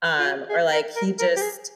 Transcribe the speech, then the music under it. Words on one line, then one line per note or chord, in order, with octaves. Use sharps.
um, or, like, he just
F4
F#4
G#4
A#4
A#4
A#4
G4
G#4